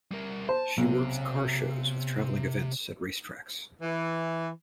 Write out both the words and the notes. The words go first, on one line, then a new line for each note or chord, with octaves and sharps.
She worked car shows with traveling events at race tracks.
G3 A#4
C5 A5
B1 C3
E3